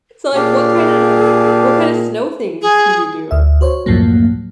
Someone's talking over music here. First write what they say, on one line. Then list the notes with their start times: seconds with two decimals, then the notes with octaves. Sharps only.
So, like, what kinda what kinda snow things do you do?
0.35 A#2 D4 G4 G#4 F5
2.62 G#4
3.31 D2 E5
3.61 F#4 C5 C#5
3.86 C#2 F#2 A2 F3 F#3 A#3